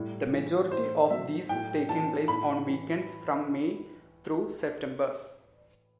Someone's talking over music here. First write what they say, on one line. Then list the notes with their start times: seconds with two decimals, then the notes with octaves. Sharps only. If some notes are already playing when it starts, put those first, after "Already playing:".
The majority of these taking place on weekends from May through September.
Already playing: A2 G3
0.32 E3
0.71 A2 C5
1.10 F#3 E5
1.49 A2 G5
1.89 E3 A5
2.28 A2 B5
2.67 E3